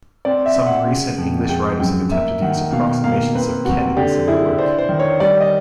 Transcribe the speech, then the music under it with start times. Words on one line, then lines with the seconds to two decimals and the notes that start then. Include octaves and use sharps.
Some recent English writers have attempted to use approximations of kennings in their work.
0.25 C4 D5
0.46 E5
0.56 C4
0.67 F#5
0.87 C#3
1.18 F2
1.49 G#3 G5
1.80 F#2 G5
2.11 A#3 E5
2.42 D#3 F#5
2.72 B2 F5
3.04 A#3 F5
3.35 C4 B4
3.65 C3 F#4
3.97 D3 G4
4.27 E4 G#4
4.58 D4 C5
4.79 C5
4.89 D#3
4.99 C#5
5.20 G3 D5
5.41 D#5